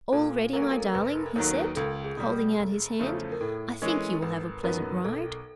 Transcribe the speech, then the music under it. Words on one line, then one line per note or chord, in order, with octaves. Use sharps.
"All ready, my darling?" he said, holding out his hand; "I think you will have a pleasant ride."
A#2 A4
F#3 A#3 C#4 A#4
A4
A#4
F1 B4
A4
D#2 D#3 F#3 A#4
C#2 A4
G#4
B2 G3
F1
E2 C#3 F3 A3
A#4
A2 A4
E3 G#3 C#4 A#4
A#4
G#1 B4
F#2 D#3 F#3 B3 A#4
B1 A4